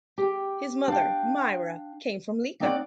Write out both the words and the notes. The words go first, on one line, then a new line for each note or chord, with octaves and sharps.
His mother Mira came from Lika.
G4 G5
D4 F5 G5
A#3 C4 D#4 C#5 D5 F#5